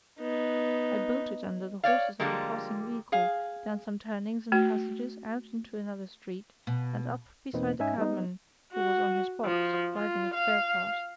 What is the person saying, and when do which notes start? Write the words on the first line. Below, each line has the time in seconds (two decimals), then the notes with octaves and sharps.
I bolted under the horses of a passing vehicle, down some turnings and passages, out into another street, and up beside a cabman who was on his box, driving a fare past.
0.20 B3 D#4
1.84 C#5 D5 F5
2.20 D3 F3 G3 G#3 A#3
3.12 G#4 F5
4.52 A3 F#4
6.67 B2
7.53 E2 B2 A#3 C4 D#4 B4
7.80 G#2 C#4 D#4 E5 G#5
7.98 G3 B3 D#4
8.72 F#4
9.44 F3
9.95 F4
10.34 F5